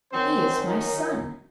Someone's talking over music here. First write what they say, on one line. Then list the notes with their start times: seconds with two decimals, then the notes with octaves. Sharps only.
He is my son.
0.12 D#3 F#3 C4 C#4 C5
0.67 D#4